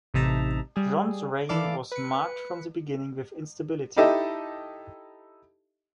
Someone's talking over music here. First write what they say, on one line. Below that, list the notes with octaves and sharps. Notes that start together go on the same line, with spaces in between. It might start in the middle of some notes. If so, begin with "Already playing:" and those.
John's reign was marked from the beginning with instability.
A1 C3 D#4 E5 A5 A#5
G3 G#4
E3 E4 A4 D5 F5 D6
B4 C#7
D#4 E4 G4 A4 D#5 E5